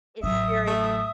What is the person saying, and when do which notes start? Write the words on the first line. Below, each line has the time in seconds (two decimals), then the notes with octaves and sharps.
is serious
0.23 A1 F#3 E5 D#6
0.67 A3 E5